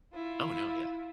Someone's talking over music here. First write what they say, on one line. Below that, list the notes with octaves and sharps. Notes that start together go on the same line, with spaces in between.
Oh no, yeah.
E4 F4